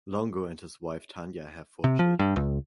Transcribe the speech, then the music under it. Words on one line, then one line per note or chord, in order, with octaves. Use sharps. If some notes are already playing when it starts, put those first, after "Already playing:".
Longo and his wife Tanya have four children.
C3
F3
G2
C#2